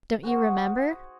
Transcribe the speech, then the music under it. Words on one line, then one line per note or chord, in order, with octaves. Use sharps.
'Don't you remember?
F#4 G#4 C5 F#5